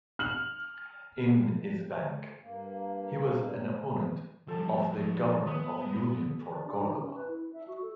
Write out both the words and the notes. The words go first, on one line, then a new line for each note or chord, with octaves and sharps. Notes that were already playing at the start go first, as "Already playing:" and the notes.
In is bank, he was an opponent of the government of Union for Córdoba.
F6 F#7
G2 A#3
F3 G3 A4 A5
F3 D#4
B3 D#6
D5
D4
D#4
C#4
B4
E4
E5
F#4
A4